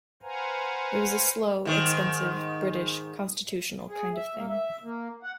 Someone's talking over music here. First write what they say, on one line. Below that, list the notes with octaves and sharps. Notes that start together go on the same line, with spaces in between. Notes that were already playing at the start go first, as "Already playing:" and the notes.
It is a slow, expensive, British, constitutional kind of thing.
B4 C5 F5 F#5 G#5 A#5
G#2 D#3
G#4
E5
A#3
E5
A#3
F#5